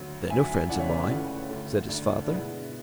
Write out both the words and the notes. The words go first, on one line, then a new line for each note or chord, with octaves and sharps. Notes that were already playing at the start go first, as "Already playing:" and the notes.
"They're no friends of mine," said his father.
Already playing: D2 D3 F#3
D2 D3 F#3 E5 G#5
C#2 C#3 E3 A3 D5 F#5
C#5 E5
B4 D5
C#2 C#3 E3 A3
D2 D3 A3
D2 D3 A3 D4
D4
B2 G#3 B3 E4